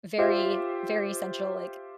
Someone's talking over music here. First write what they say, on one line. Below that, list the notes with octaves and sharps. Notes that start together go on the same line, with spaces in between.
very, very central, like,
F4 G4 C5 E5